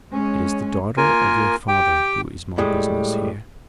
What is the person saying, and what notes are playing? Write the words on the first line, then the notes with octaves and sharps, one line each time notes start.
"It is the daughter of your father who is my business here."
G#3 C#4
A#3 F4 A#4 G#5
G4 G5
A2 G3 G#3